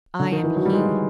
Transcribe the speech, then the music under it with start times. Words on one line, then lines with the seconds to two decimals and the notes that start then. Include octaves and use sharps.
"I am he."
0.19 D3
0.32 D#3
0.43 E3
0.56 F#3
0.65 G3
0.73 G#3